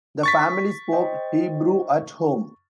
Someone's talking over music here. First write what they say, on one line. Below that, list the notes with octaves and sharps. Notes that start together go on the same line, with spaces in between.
The family spoke Hebrew at home.
C#6 A6 B6
C5 D#5 G5